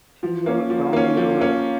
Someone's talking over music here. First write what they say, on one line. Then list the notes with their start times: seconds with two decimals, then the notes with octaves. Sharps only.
See you down the road.
0.23 F3
0.46 A#3 C#4
0.70 F3
0.93 A#3 C#4
1.17 F3
1.41 A#3 C#4